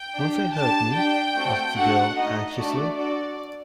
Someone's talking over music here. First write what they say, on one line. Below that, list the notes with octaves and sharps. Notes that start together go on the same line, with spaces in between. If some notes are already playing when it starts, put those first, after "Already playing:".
Won't they hurt me? asked the girl, anxiously.
Already playing: G5
D4 G4
D4 G4 A5
D4 G4 G5
A3 C4 F#4 A4
A3 D4 F#4 A4 F#5
A3 D#4 A4 D#5
A3 D4 F#4 A4 D5
D4 F#4 A4 D5